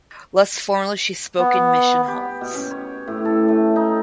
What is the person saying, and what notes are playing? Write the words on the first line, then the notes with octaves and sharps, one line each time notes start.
Less formally she spoke in mission halls.
B3
G4
B2
C#4
C#5
A2
A4
A3
D#4